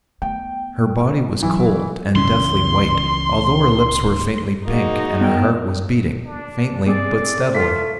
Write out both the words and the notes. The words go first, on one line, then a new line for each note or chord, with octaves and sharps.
Her body was cold, and deathly white, although her lips were faintly pink, and her heart was beating, faintly but steadily.
A3 B3 G5
E3 F#3 B3
C#2 C#3 E3 F3 C#4 C6
G#3 A#3 D#4 F#4
D#3 B3 G5
D4
G#3 C4 G#4 D5
A3 F4 B6